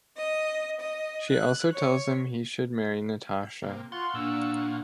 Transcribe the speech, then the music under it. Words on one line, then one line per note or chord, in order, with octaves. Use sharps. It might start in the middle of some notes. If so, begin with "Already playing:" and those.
She also tells him he should marry Natasha.
D#5
D#5
F#6
C#5
C3 A#3
F4 F5 F#5 C6 C#6
A#2 D4 E6